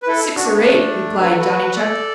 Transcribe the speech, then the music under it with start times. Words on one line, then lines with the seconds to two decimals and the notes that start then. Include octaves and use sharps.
"Six or eight," replied Johnny Chuck.
0.03 B4
0.07 E4 A4
0.36 D4 F#4
0.45 A3
0.55 B3
0.64 A3 D4
1.20 B4
1.29 A4
1.39 F#4 B4
1.76 A4 D5